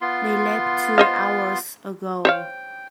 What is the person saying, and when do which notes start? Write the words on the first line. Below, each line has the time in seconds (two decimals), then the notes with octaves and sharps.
They left two hours ago!
0.01 B3 F4 C6
0.98 C5 D#5 F5
2.25 C5 C#5 F5 G5